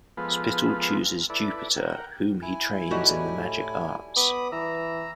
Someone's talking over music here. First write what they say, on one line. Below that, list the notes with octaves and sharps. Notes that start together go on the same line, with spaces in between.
Spittle chooses Jupiter, whom he trains in the magic arts.
F3 G#3 B3 F4 A4 B4
E4 A4 B4 D5
A#4 F#5 G5
E4 G#5
A2 G3 D#4 F#4
A2
B3 B5 D6 D#6
E3 A#5 E6